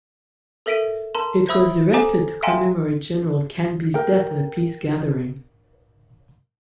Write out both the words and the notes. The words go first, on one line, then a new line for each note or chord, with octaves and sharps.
It was erected to commemorate General Canby's death at a peace gathering.
A4 A#4 E5 B6 D7 D#7
A#4 A5 A#5 C6
C5 E5 B5 D#6 E6
A4 C5 G#5 A#5 D6
E5 F5 G5 G#5 A#5 C6
A#4 G5